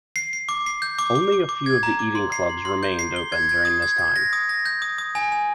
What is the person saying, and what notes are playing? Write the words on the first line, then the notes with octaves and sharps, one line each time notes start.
Only a few of the eating clubs remained open during this time.
C7
C7
D6
C7
G6
D6
D6
D6
D6
G#6
A#5
D6
C6
C7
C6
C6
G6
C7
G7
G#6
G#6
D#6
G#6
G#6
A#6
D#6
A#6
G6
D#6
D#6
G#5
G#5